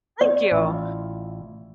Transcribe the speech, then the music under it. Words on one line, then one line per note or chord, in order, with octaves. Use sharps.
Thank you!
D5
A1 E4 F4